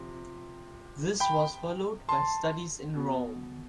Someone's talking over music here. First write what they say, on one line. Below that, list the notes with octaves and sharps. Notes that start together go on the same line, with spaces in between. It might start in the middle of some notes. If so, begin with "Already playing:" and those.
This was followed by studies in Rome.
Already playing: C3 F3
G5 B5
A5 C6
B2